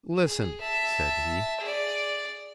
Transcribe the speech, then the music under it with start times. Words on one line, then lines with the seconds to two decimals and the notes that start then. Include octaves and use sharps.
"Listen," said he.
0.24 G#4
0.61 E5 A5
1.61 G#4 D5